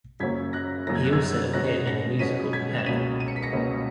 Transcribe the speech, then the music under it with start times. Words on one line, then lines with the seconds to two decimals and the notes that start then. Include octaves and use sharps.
He also appeared in the musical Hair.
0.20 F#2 C#3 F#3 A#3 C#4 G#6 B6
0.53 F#6 A#6
0.87 F#2 C#3 F#3 A#3 C#4 A#6
0.95 G#6
1.04 F#6
1.13 E6 G#6
1.54 B2 G#3 C#4 F#6 A#6
1.87 A#6 C#7
2.19 B2 G#3 C#4 B6 D#7
2.53 G#6 B6
2.78 E7
2.86 C#2 B2 A#3 C#4 B6 D#7
3.20 D#7
3.28 C#7
3.36 B6
3.43 A#6 C#7
3.53 C#2 B2 A#3 C#4